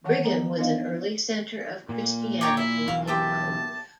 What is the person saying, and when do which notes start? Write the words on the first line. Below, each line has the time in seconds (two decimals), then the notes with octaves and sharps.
Brigham was an early centre of Christianity in Cumbria.
0.04 D#3 E3 G3 C#5 F#5 A5
0.25 F3 B3 B4 A#5
0.58 B3 D4 D#4 D5 D#5 F5
0.86 B4
1.89 A#2
2.41 C#5 D5 G5 A#5
2.57 E4 E5
2.88 B1 E3 F#3 F5
3.07 G4 C5 E5 A5